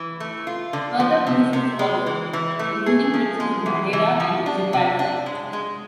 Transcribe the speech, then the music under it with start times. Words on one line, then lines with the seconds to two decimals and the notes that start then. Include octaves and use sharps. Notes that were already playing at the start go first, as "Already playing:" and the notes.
Further cruises followed, including trips to Madeira and Gibraltar.
Already playing: E3
0.20 A3
0.47 F4
0.73 D3
1.00 F3
1.27 C3
1.53 C3
1.79 G#3
2.06 E3
2.33 E3
2.59 A3
2.86 G#4
3.14 F3
3.40 G#3
3.66 E3
3.93 E3
4.20 F3
4.46 D4
4.73 C3
4.99 D4
5.26 G#3
5.53 G#3